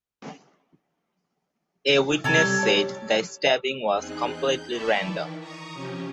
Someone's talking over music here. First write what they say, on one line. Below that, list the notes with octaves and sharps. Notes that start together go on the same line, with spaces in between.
A witness said the stabbing was "completely random".
C3 A4 C#5 D5 A#5
G3
G4 C#5
E2 C4 D#4 G#4 F#6
G6
D5 E5 G5 A5 B5 C#6
D#3 E3
A#5 C#6 D#6
C3 F3 C#4 G4